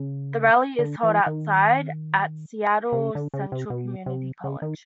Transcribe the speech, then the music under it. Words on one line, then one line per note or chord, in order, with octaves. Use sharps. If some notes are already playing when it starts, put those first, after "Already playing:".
The Rally is held outside at Seattle Central Community College.
Already playing: C#3
D3
E3
D#3
C3
C#3
D3
C#3
C3
B2
C3
C#3
D#3